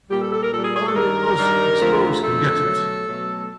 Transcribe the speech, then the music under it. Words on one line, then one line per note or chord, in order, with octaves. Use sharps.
Only us explorers can get it.
A#2 G3 G4
A4
A4
A#4
A#2 G3 A4
G#4
G#4
A4
G2 D#3 G3 A#4
G2 D#3 G3
F2 D3 F3 A3
F2 D3 F3 A3 A4
B2 F#3 A3
B2 F#3 A3